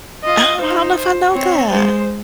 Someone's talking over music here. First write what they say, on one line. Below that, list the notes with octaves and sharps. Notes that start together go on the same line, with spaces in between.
Oh, I don't know if I know that.
F4 D#5
D#4 C5
C5
C4 C#5
G#3 C5